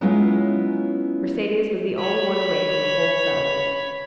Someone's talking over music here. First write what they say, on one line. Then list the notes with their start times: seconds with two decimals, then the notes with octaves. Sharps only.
Mercedes was the only one awake in the whole settlement.
0.01 F#3 G#3 B3 C#4 E4 F4
1.99 C#5 B5